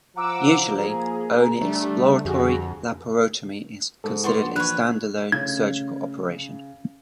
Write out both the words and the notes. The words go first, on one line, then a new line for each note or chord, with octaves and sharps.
Usually, only exploratory laparotomy is considered a stand-alone surgical operation.
F3 F#5 A#5 D6 E6
A#3 G#4 A#5
D3 G3 A3 D4
F2 F#4 G#4
G#2 A4
E4 F#4 B4 D5 C6
A#1
E3 D4 B4 C#5 F#6
C#3 A3 C#4 G#6